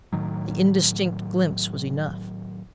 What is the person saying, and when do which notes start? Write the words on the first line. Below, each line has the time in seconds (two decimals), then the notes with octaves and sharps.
The indistinct glimpse was enough.
0.13 A2 D#3 F#3